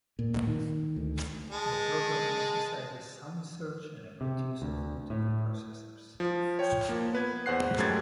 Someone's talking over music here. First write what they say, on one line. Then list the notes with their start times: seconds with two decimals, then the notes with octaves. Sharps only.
The program emphasizes sound search and a good use of multiple processors.
0.19 A#2
0.47 D#3
0.96 D2
1.50 G#3 A5
4.21 C3
4.62 D2
5.10 A2
6.20 F3
6.59 C#5 G5
6.89 F3 A#3
7.13 B3 B4 G#6
7.46 E2 C5 F#5 F#6 C7
7.78 F#2 G#3 A3 G4 G#6 A6